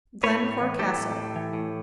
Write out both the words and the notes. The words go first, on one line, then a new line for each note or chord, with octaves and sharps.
Glencore Castle.
A2 B4 C#5
A2
E3
A2 G4 A4
A2
A2
E3
A2